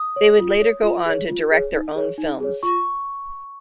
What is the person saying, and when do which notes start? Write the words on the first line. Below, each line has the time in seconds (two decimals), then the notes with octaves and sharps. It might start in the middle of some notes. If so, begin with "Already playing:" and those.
They would later go on to direct their own films.
Already playing: D#6
0.16 C#5
0.39 F4
0.61 C#5
0.83 F4
1.06 G#4 C#5
1.28 F4
1.51 G#4 C#5
1.73 D#4
1.95 G#4 C#5
2.18 D#4
2.40 G#4 C#5
2.63 F4 C#6